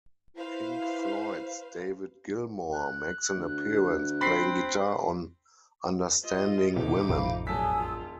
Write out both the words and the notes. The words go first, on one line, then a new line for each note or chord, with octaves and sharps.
Pink Floyd's David Gilmour makes an appearance playing guitar on "Understanding Women".
E4 B4 C5 F5
F#6
D2
C4 B5 B6 C7
F4 D#5
D#1 C3 D#4 D6
A1 F2 C3 F5 B5
E1 F#3 A3 G#5 A5 D#6 E6 B6
F4